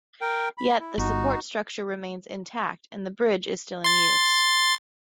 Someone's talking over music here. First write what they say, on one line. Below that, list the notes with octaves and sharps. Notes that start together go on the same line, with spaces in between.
Yet, the support structure remains intact and the bridge is still in use.
A#4 G5
B5
E4
G1 D#4 F#4
C6 A6